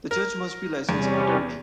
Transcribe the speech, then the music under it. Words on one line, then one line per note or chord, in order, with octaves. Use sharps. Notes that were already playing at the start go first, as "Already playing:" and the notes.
The Judge must be a licensed attorney.
A#4
E2 C3 G3 C#4